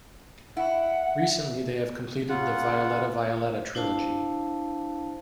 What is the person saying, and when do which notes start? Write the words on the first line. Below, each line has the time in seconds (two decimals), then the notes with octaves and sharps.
Recently they have completed the "Violeta Violeta" trilogy.
0.57 E4 F#5
2.29 C#3 F4 F#5
3.75 D4 E4 C5 F5 A5